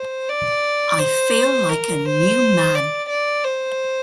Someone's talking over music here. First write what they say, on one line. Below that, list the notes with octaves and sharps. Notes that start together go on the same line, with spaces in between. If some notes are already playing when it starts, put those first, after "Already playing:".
I feel like a new man.
Already playing: C5
D5
C5
A#4
C5
D5
D5
C5